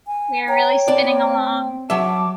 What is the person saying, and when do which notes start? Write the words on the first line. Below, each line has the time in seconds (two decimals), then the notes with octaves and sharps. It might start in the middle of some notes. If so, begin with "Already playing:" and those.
We are really spinning along.
0.07 G#5
0.48 C#5 G5 A#5
0.88 C4 D5 A5
1.90 F#3 E5 A5 D6